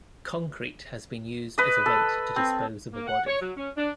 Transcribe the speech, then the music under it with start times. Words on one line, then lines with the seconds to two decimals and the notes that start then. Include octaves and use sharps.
Concrete has been used as a weight to dispose of a body.
1.58 B4 D#5
1.86 A4
2.36 C4
2.94 A#3
3.08 F#5
3.27 C#5
3.40 F#3
3.57 C#4
3.77 D4